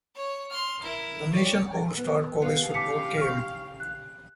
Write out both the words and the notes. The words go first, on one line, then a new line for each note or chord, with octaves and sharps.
The Nation all star college football game.
C#5
C6 F6
E4 A#4
C#5 D5
B3
B3 G4 F5
C#3 A5 D6 B6 C#7
C#6 F6
F#6